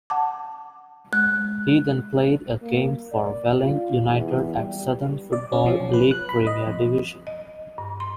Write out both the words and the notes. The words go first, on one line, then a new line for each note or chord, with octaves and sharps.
He then played a game for Welling United at Southern Football League Premier Division.
F#5 A5 D6
G#3 F#6
A#3
D5
F4
E2
G3
D5
C#4
F3
B1
B4
F#6
B5
D#5
F2
D#5
G2
C6